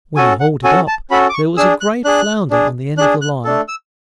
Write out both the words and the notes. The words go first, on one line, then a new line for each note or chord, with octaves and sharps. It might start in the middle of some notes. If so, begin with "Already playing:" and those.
When he hauled it up there was a great flounder on the end of the line.
C#4 F#4 A4 G#5
F#5
C#4 F#4 A4 G#5
A5
C#4 F#4 A4 B5
D6
C#6
D4 G#4 E6
F#6
D4 G#4 F#6
D4 G#4
D4 G#4 F#6
F#6
A3 D4 A4
E6